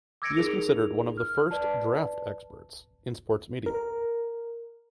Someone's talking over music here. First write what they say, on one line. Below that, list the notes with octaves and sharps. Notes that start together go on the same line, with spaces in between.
He is considered one of the first "draft experts" in sports media.
D6 E6 G#6 A#6 C#7 D7
D#4 G#4 A#4 F7
F6
B4 D5 A5
A#4